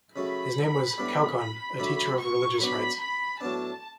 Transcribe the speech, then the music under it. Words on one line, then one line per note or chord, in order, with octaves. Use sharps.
His name was "Kaukon", a teacher of religious rites.
C#3 F#3 A3 B5
A2 G3 B3 D4
B5
D3 F#3 A3 D4 B5
C#6
F#3 B3 D4 B5
B5
A2 F#3 B3 D4 A5